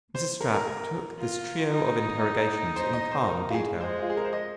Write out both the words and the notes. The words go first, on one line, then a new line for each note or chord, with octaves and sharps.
Mrs. Stapp took this trio of interrogations in calm detail.
C5
A#4
A#4
A#4
F4
D#4
C5
D#5
C5
A#4
F4
G#4
G#3 C5
F4
G#4
A#4
C5
D#5